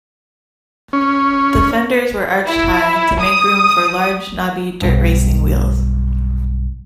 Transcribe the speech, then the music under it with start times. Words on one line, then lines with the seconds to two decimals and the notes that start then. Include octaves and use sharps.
The fenders were arched high, to make room for large, knobby dirt-racing wheels.
0.93 C#4
2.46 E4
3.20 D#6
4.82 B1 G2